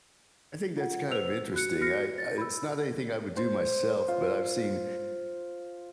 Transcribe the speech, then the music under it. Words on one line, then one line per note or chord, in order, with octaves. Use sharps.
I think that's kind of interesting. I I it's not anything I would do myself, but I've seen
F4 F#5
B4 C5 E6 F7
F#4 F#6 C#7
F#4 F6 A#6 C#7
A6
B5 E6
C5
F4